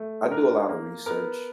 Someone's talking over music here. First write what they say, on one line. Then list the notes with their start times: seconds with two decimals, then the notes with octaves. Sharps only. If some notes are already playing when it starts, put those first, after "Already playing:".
I do a lot of research,
Already playing: A3
0.31 D4 A#4
0.69 A#3
1.06 B3 A#4